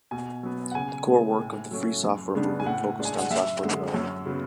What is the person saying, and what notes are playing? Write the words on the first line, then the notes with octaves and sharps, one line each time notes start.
The core work of the free software movement focused on software development.
B2 G#5
F#3 B3
F#5
C#3 G#5
G#3 B3
A2
F#3 A3 C#4
F#2
C#3 G#3 B3 D4
G#5
A2 F#5
G#3 D4
G#5
F#5
F#2 E5
D3 G#3
F#2 C#5
C#3 F#3 B3